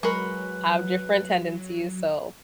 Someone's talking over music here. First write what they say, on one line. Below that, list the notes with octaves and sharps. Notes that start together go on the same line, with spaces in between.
have different tendencies, so,
F#3 G#3 A#4 B4 B5 C#6